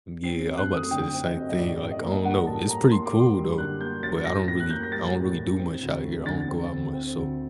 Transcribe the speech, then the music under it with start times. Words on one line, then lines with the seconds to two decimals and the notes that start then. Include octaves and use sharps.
Yeah, I'm 'bout to say the same thing, like, I don't know, it's pretty cool, though, but I don't really I don't really do much out here, I don't go out much, so
0.24 C4 C7
0.47 F#2
0.58 F#6
0.69 A3
0.75 D#6
0.91 D3 G5
1.13 C4
1.24 D#5
1.36 F#2
1.49 D#5
1.58 A2 D5
1.80 A2
1.91 D#5
2.02 A#3
2.25 G3 F#5
2.47 A2 A5
2.69 A2 A#5
2.92 A#3 C6
3.06 D6
3.13 F#2
3.20 C6
3.36 G3
3.58 D3 F#6
3.81 A#3 G6
4.03 F#2 A6
4.25 A2 A#6
4.48 A2 A#6
4.60 F#6
4.70 A#3 G6
4.83 A#6
4.92 G3 A6
5.15 A2
5.37 A2
5.59 C4
5.82 D2
6.03 A3
6.26 D3 A6
6.48 C4
6.70 D2
6.93 C4
7.15 D2